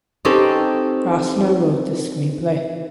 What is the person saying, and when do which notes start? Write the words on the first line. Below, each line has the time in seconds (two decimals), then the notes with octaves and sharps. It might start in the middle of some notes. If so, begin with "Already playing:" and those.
Krasna wrote the screenplay.
0.25 C4 C#4 D#4 G4 A4